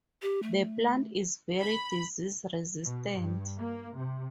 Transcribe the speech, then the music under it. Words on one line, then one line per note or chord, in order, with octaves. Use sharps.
The plant is very disease resistant.
G4
A3
B5
B2
G2
A#3
C3